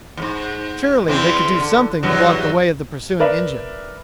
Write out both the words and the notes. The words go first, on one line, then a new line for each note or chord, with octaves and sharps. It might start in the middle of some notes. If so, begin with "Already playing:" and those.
Surely they could do something to block the way of the pursuing engine.
E2 G#2
E2 E3 C4
D3
E2 G2 F#3
A#4 B4 D5 E5